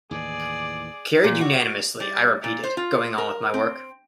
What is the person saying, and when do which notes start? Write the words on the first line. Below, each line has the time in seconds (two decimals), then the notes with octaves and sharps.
"Carried unanimously," I repeated, going on with my work.
0.11 D#2 A2 E3 G#4 D5
1.24 A#2
1.41 F#4
2.00 G3
2.44 A#2
2.63 C5
2.77 F4
3.18 A#4
3.54 C4